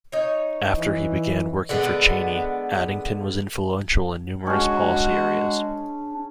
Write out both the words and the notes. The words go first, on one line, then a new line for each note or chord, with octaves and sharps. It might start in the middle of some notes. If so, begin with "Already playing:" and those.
After he began working for Cheney, Addington was influential in numerous policy areas.
D#4 C#5
E3
D3 G#3 B3
G#3 C#4 D4 F#4 G#4